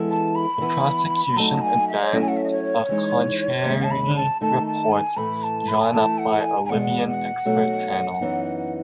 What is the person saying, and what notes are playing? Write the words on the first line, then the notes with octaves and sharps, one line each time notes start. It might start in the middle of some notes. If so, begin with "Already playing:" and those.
The prosecution advanced a contrary report drawn up by a Libyan expert panel.
Already playing: E3 G#3 B3 E4 A4
A5
B5
E3 B3 E4 B4
F#3 A3 D#4 A5
G#5
E5
C#5
F#3 A3 C#4 E4 A4 D#5
G#5
F#5
E5
D#5
C#5
E3 G#3 D#4
D#2 C#3 G#3 E5
A5
B5
A5
D#3 A3 D#4 A5
A5
G#5
A2 E3 A3 B5
A5
B5
G#5
E3 A3 E4 A5
F#5
A5
G#5
G#5
E2 B2 G#3 F#5
F#5
B2 F#3 A3 D#4 F#4
F#2 E3 B3 D#4